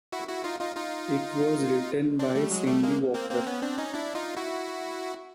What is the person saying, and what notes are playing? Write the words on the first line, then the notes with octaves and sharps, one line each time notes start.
It was written by Cindy Walker.
E4 F#4
E4 F#4
D#4 F4
D#4 F4
D#4 F4
C4 D4
G3 A3
F#3 G#3
G3 A3
G#3 A#3
A#3 C4
A#3 C4
B3 C#4
C4 D4
C#4 D#4
D4 E4
D#4 F4
E4 F#4